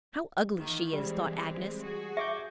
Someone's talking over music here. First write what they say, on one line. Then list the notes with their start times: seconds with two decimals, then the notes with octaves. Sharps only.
"How ugly she is!" thought Agnes.
0.59 D#3 E3 A#3
0.93 E3 G3 G#3 C4
1.81 F#4 G#4
2.17 E5 C#6 D6 G6